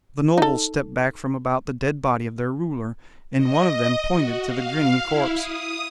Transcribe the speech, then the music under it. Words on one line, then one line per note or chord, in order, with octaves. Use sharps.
The nobles stepped back from about the dead body of their ruler, and one of them pointed to the grinning corpse.
D#4 A4
D#5
F#4
F5
E4
D#6